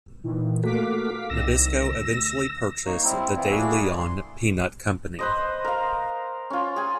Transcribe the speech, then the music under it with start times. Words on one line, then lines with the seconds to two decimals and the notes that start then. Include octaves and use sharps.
Nabisco eventually purchased the De Leon Peanut Company.
0.23 A#2 D#3 E3
0.64 A3 A#3 F#4 F5 D6 B6
1.30 C2 D#3 E6 A#6
1.88 D2
2.86 A#3 D#4 C#5
3.04 G3 C4 E4
3.37 E3 B3 C4 E4 F4
3.50 A3 A#3 D4 E4 F#4 G#4
3.98 C6
5.19 B4 C5 D#5
5.65 A#4 F5
6.50 C#4 F4
6.76 G#4 G#5